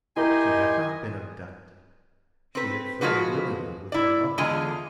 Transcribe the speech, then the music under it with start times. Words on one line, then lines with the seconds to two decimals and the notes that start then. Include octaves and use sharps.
She had not been abducted--she had fled willingly with her lover.
0.17 D#4 E4 G4 A#4 D#5 G#5 A#5 C6
2.55 C4 B4
3.01 F3 G#3 F4 F#4 G#4 B4
3.92 E4 D5
4.38 E2 D3 G#3 F4 G#4 G#5